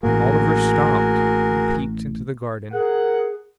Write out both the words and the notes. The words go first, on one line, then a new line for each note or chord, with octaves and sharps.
Oliver stopped, and peeped into the garden.
A1 A2 A#3 F#4 G#4 A#4
G#4 A#4 F#5